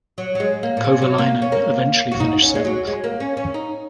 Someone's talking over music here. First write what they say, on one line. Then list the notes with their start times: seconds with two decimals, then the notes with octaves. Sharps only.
Kovalainen eventually finished seventh.
0.18 F#3
0.35 F#3
0.40 G#3
0.63 A#3
0.77 A#2
0.84 C#3
1.02 F#3
1.18 A#3
1.42 C#4
1.52 A#3
2.12 F#4
2.20 D#4
2.42 C#4
2.55 G#3
2.65 F#3
2.87 G#3
3.04 A#3
3.20 C#4
3.37 C#4
3.54 D#4